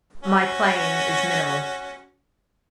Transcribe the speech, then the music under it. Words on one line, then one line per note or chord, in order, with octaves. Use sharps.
My playing is minimal.
C#4 F#4